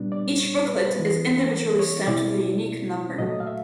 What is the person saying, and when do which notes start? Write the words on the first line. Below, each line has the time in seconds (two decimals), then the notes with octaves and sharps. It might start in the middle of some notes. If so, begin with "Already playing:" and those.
Each booklet is individually stamped with a unique number.
Already playing: A#2 G3 B3 D4
0.12 D5
0.40 C#5
0.68 B4
0.95 E3 G#3 B3
1.79 C#5
2.07 B2 G#3 C4 E4 D5
3.18 A#2 F#3 A3 D#5
3.40 F5
3.47 E5